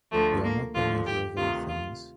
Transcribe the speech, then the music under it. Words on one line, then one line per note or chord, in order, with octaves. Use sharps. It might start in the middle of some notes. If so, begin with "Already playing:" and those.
You're not the measure of all things.
D2 D3 F3 A3
A#3
D#2 D3 F3 F4
G4
D2 C3 D#3 F4
F4